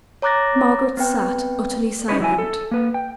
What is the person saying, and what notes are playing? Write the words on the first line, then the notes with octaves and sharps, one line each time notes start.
Margaret sat utterly silent.
C#5 A#5 D6 F#6 A6 A#6
B3 C4 B4 G5
C#4 D#4 E4 B4 C#5
F#3 E4 G#5
A4
A#3 B4
G5